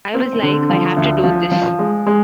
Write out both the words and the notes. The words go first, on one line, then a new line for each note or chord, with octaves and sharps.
I was like, 'I have to do this.
C4
D3
F3
D2
F3
F3
G#3
G#3